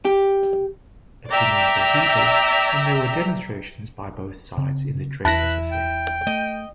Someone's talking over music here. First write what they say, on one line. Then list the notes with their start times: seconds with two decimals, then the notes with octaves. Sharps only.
Opinions were heated and there were demonstrations by both sides in the Dreyfus affair.
0.05 G4
1.30 D5 E5 G5 A#5
4.58 C#3 C4
5.25 E2 E4 B4 A5 F#6 A#6
5.71 G5
6.27 A3 D#5